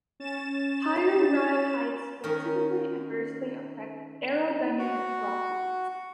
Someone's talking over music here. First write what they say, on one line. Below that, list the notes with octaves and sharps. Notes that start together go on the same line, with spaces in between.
Higher ride heights will typically adversely affect aerodynamic properties.
C#4 A6 E7
D#3 C#4 A#4
F#4